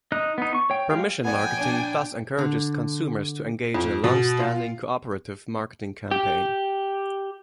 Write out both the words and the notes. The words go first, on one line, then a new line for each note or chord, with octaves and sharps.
Permission marketing thus encourages consumers to engage in a long-standing, cooperative marketing campaign.
D#4 D#5 F#6
B3 D#4
C#6
C#5 G5
F#3 G#3 G4 F5 G5
A#1 B3 D5 G5 G#5
D4
D3
F2
B2
F4
G4